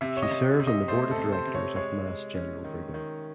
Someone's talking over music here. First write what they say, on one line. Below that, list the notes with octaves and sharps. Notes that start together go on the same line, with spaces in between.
She serves on the board of directors of Mass General Brigham.
C3 E5
C#5
D#5
C3
C3
D#5
A3 C5
A4
C3
C5
C3
C#5
G#3 C#5
G#3
C#4
D#3
D#3